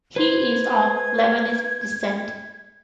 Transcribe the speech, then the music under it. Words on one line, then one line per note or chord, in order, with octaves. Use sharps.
He is of Lebanese descent.
B4 C5 G#6